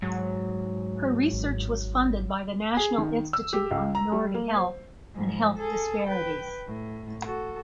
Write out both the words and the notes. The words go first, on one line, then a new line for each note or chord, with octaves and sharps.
Her research was funded by the National Institute on Minority Health and Health Disparities.
G#2 F#3
G#1
G#4
D#3
E6
G4
C#2
A#5
G3
A#3
C5
G#2 F3
G#4 A4
B4 G5
A2
F#4 A4